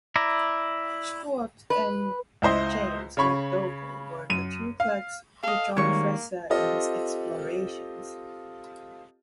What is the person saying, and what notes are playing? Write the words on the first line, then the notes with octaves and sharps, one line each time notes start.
Stuart and James McDougall were the two clerks who joined Fraser in his explorations.
E4 D5 A#5
B4
C#2 E4 C5 D#5
C#3 C#5 B5 C#6
F#2 D#7
F5
A4 D#5 F5
D#3 G3 G#3 A#3 C#5 C#6
C4 F4 G4 A4 D#5